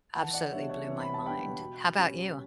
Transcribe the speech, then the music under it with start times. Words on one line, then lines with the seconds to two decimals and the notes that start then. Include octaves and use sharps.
absolutely blew my mind, how about you?
0.15 E3 F#5 A5
0.33 D5 F#5
0.52 G3 B3 D4 C#5 E5
0.70 C#5 E5
0.88 E3
1.00 B5
1.14 A5
1.24 G3 B3 D4 G5 B5
1.60 B2
1.96 G3 C#4